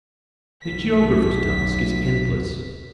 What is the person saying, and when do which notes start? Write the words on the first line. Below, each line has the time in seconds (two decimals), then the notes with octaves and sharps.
The Geographer's task is endless.
0.63 B1 B6